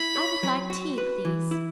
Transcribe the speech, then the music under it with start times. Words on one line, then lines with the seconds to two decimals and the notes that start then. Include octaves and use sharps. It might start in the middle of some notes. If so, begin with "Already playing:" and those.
"I would like tea, please."
Already playing: E4 B5
0.16 C#5
0.43 F#3
0.70 F#4
0.98 B4
1.25 E3
1.51 E4